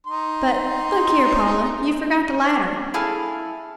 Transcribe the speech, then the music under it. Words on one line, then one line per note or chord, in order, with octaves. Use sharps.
But, look here, Paula, you forgot the ladder.
D#4 C6
E4 G#4 A4 F5